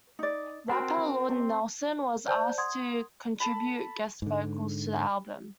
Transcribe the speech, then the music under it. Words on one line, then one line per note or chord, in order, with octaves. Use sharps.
Rapper Lord Nelson was asked to contribute guest vocals to the album.
D#4 D5
C4 F#4 A#4 A5
C5 D5 A5 G6
F#5 C6 D#6 G#6
A4 A5 B5
G#2 D3